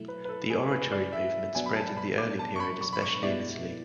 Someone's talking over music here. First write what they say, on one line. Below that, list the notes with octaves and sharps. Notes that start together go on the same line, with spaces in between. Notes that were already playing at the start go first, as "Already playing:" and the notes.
The Oratory movement spread in the early period especially in Italy.
Already playing: B2 F#3 A3 E4
B4
B4
A4
G#4
B4
D5
E5
B2 F#3 B3 D4 G#5
B5
A5
B5
D6
A5
C#6
B5
C#6
B5
C#6
B2 G#3 B3 E4 D5